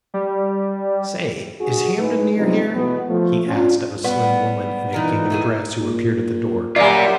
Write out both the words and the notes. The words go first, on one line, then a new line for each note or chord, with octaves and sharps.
'Say, is Hamden near here?' he asked of a slim woman in a gingham dress who appeared at the door.
G3
G2 F#4 G#4
A2 G#3 D#4 G#4 B4
G2 C3 F3 B3 D#4
E2 B2 B3
F3 A3
C#4 D4 F4
G3 B3
E3 D#4 F4 A#4
A3 E4 G#4
A#2
F#2 G3 F4 A#4 D5 E5 G#5